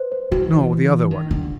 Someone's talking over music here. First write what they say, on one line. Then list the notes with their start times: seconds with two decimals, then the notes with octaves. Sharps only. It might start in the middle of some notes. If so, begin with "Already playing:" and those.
"No, the other one."
Already playing: B4 C5
0.12 C5
0.31 E3 F#4
1.11 D#3
1.31 D3